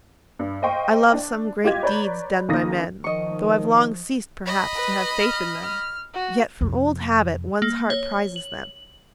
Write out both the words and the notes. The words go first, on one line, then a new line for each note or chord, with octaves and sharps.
I love some great deeds done by men, though I've long ceased perhaps to have faith in them, yet from old habit one's heart prizes them.
G2
C5 D#5 F5 G5 C6 C#6
D4
F4 G4 D#5 G#6
B4 C#5 D5 A#5 B5 G6
C#2 D#3 A#3 D#6 A#6
D#3 F3 D#5 C#6
D#5 B5
B4
F6
F6
F#4
F2 C3
A#3
C#5
F#7